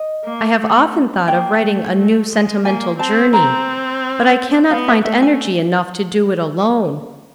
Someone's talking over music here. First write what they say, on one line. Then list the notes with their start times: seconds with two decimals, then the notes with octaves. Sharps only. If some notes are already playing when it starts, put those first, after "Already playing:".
I have often thought of writing a 'New Sentimental Journey.' But I cannot find energy enough to do it alone.
Already playing: D#5
0.24 A#3
0.59 A3
1.27 A#3 G5
1.62 A3
1.97 A3
2.31 G#3
2.65 A#3 G#5
2.99 C4 A5
3.33 C4 A#5
4.71 B3 F5
4.88 E5
5.05 A3 E5
5.22 G#5